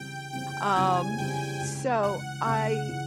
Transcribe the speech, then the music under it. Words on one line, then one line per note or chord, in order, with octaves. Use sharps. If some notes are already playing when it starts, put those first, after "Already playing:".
um, so I
Already playing: C#3 E3 G3 C4 G5
C#3 E3 G3 C4 G5
C#3 E3 G3 C4 G#5
C#3 E3 G3 C4 G5
C#2 C#3 E3
C#2 C#3 E3 F#5
C#2 C#3 E3 F#5
C#3 E3